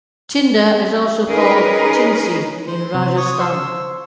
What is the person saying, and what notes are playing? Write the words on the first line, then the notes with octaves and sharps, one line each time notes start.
Tinda is also called "tindsi" in Rajasthan.
C#4 D#4 G#4 A#4 B4
C5
C3
C#5 D#6
C5 C6 C#6 E6